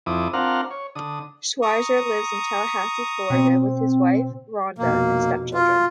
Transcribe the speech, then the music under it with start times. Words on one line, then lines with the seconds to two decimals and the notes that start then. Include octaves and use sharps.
Schweizer lives in Tallahassee, Florida with his wife, Rhonda, and step-children.
0.06 F2 E4 D6 D#6
0.33 C4 D4 F4 A#4 F5 F#5
0.71 C#5
0.95 D3 D#6
1.62 A#5 C#6 D#6
3.30 B2 C4
4.78 F1 B2 A#3
5.54 F4